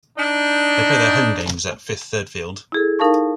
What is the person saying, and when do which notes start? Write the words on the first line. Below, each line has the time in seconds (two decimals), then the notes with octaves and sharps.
They play their home games at Fifth Third Field.
0.18 D4 D#4
2.72 E4 G#4 A4
2.99 D#4 A#4 F5 A5 C#6